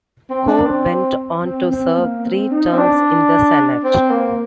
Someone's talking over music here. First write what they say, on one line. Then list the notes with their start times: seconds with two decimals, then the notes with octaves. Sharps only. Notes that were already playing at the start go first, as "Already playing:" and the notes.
Gore went on to serve three terms in the Senate.
0.30 C4
0.47 D4
0.65 C4
1.44 C4
1.71 C4
1.98 A#3
2.25 C4
2.51 D#4
2.72 C4
2.77 D4
3.84 C4
4.10 A#3